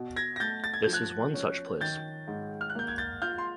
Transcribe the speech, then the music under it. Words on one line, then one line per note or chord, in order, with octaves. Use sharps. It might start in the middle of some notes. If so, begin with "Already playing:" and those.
This is one such place.
Already playing: B2
G#6 A#6
A#6
A3 G6 A6
A6
G#6
F3 G6
F#6 G#6
C#4
D#3 G6 A6
G#2
F6
F#6
A#3 G6
G#6
G6 A6
F4 F6 G6
C6